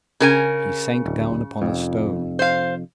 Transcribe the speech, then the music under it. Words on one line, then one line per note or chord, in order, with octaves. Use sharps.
He sank down upon a stone.
C#3 A#4 G#5
D1
F1 F2
C5 F5